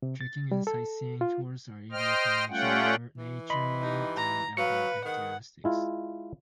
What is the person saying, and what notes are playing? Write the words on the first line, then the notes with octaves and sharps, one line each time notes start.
Trekking and sightseeing tours are ideal for nature lovers and outdoor enthusiasts.
C3
A6
G3
A4
F4
C5 D#5 G5 F6
G3 A3 C#4 F4 F#5 G5
E3
D#5 B5 C6
D#4 G4
A#5
F#3 B4 F5 C#7
D#3 G#4 F#5
G#3 E4 F4